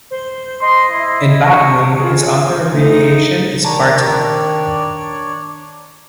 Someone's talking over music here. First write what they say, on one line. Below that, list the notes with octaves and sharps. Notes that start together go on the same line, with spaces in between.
In botany, his author abbreviation is Barton.
C5
D#5 C6
E4
C#6
F4 G#4
A3 D#4
D#3 D4 C#5 D5 A5 A#5